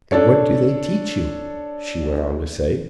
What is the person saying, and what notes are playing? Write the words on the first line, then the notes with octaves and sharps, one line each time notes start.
"And what do they teach you?" she went on to say.
D4 A4 C#5